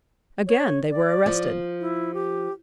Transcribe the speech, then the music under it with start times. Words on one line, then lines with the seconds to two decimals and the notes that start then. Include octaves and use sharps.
Again they were arrested.
0.47 C#5
0.90 D5
1.26 F3
1.81 E4
2.14 G4